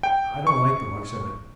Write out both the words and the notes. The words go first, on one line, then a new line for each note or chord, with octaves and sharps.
I don't like the looks of it.
G5
C#6